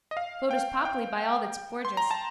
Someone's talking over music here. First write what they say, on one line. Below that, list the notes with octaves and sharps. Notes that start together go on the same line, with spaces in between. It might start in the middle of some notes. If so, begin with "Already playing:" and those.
Photo's papli, by all that's gorgeous.
D#5
F5
G5
G5
C6
A#5
A5